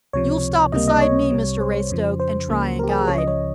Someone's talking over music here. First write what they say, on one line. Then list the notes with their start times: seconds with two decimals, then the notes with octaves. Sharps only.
"You'll stop aside me, Mr Raystoke, and try and guide."
0.13 C#2 C3 F3 C#5
0.72 C#2 C3 G3 A#3 D#5
0.88 D#5
1.02 C#5
1.32 C2 C3 G3
1.60 C5
1.90 F2 C#3 F3
2.20 C5
2.49 C#2 C#3 F3 A#3
2.79 A#4
2.84 G4
2.89 G#4
3.08 C#2 C#3 F3 C#5
3.18 D#5
3.28 C#5